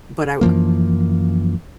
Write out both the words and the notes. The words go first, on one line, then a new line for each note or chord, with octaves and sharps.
but, I
F#2 E3 F3 A#3